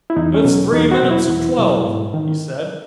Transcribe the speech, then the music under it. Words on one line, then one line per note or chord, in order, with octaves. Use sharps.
"It's three minutes of twelve," he said.
E4
E2 D#4
C#4
B2 F#3
E2 D#4
F#4
B2 F#3
E4
E2
B2 F#3
G#2
D#3